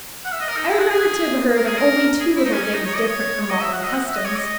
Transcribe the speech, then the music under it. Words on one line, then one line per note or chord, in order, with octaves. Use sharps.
I remember to have heard of only two little things different from modern customs.
F#5
E5
D#5
A#4
D#4
E4
F#4
G#4
A#4
G#4
A#4
G#4
E4
D#4
C#4
C#4
D#4
C#5
D#5
C#5
C#5
D#5
E5
F#5
D#5
F#5
E5
D#5
C#5
D#5